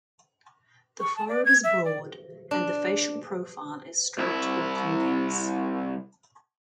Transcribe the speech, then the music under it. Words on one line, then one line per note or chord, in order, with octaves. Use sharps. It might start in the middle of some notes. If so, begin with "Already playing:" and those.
The forehead is broad, and the facial profile is straight or convex.
C#6
A5
D5
G#6
E5
D5
D4
C2 E4